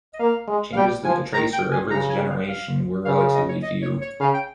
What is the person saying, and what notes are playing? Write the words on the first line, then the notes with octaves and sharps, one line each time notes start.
Changes to the Tracer over this generation were relatively few.
D#5
A#3 F5
G#3
F5
G3 G5
F3 G#5
D#3 A#5
G5
G#5
C#3 A#5
G#5
F5
F5
C#3 F5
D#5
C#5
D#5
C#5
C#5
C#3 F5
G5